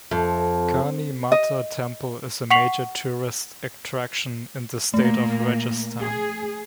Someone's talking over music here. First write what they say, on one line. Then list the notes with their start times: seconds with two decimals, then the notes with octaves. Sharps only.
Karni Mata Temple is a major tourist attraction in the state of Rajasthan.
0.11 F2
1.32 D#5
2.51 F#5 C#6 B6 C7 F7 F#7
4.94 A#2 A3 A#3
6.00 G#4